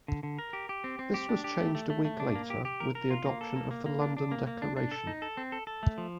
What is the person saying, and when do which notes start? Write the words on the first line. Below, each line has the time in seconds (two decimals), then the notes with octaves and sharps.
This was changed a week later with the adoption of the London Declaration.
0.08 D3
0.23 D3
0.39 A#4
0.53 G4
0.69 G4
0.84 C4
0.99 C4
1.14 G4
1.29 D4
1.44 G4
1.59 A3
1.75 A3
1.90 A3
2.05 A3
2.20 D4
2.35 A#3
2.50 G4
2.65 G4
2.80 A#4
2.95 A#4
3.10 F4
3.26 A#3
3.41 A4
3.56 A#3
3.71 A#3
3.86 A#3
4.02 D4
4.17 D4
4.32 A#3
4.47 A#3
4.62 D4
4.77 D4
4.91 A4
5.07 D#4
5.22 A4
5.37 C4
5.52 A4
5.67 A4
5.83 A3
5.98 F3